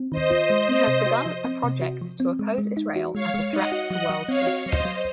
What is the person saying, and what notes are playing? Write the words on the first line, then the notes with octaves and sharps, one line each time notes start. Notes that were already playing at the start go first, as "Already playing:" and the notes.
He has begun a project to oppose Israel as a threat to world peace.
Already playing: C4
D#3 C5 D#5
F4
G#3
C4
C3
F#4
F3
C4
C3
F#4
F3
C4
G#3
G#3
D#4
F#4
G#3 C#5 F5
G#3
D#4 D#5 F#5
F#4
F#3 D#5 F#5
F#3
C4 C#5 F5
F#4
F#3 C5 D#5
F#3